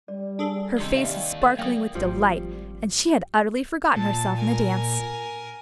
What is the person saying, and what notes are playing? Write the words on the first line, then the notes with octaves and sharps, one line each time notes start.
Her face was sparkling with delight and she had utterly forgotten herself in the dance.
G3 D5
D4 G#4 A4
D#2 C3 D#4 E6
D5 E5 F5 G5
A3
C#3 F#3 A#3 D5 G5 D#6
G#1 F3 G3 A3
A#2 A5
A#4 G#5